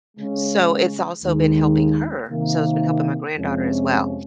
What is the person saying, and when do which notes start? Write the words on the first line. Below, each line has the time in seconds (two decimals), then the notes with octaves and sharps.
So, it's also been helping her, so it's been helping my granddaughter as well.
0.17 C#3 G#3 C#4
1.23 D#2 D#3 G#3
2.29 C3 D#3 A#3
3.36 F2 C3 F3 G#3 C#4